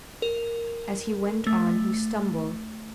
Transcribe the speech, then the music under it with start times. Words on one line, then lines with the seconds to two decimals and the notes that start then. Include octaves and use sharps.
As he went on he stumbled.
0.22 A#4
1.47 A3